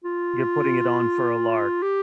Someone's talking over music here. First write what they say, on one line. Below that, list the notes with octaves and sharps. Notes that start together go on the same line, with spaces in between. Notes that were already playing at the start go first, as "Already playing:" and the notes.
You're putting it on for a lark.
F4
G4